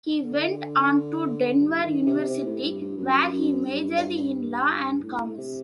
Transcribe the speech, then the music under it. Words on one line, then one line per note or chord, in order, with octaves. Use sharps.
He went on to Denver university, where he majored in law and commerce.
D3
G2
D#3
C3
C3
A2
G2
G2
F#2
F#2
G2
A2
C3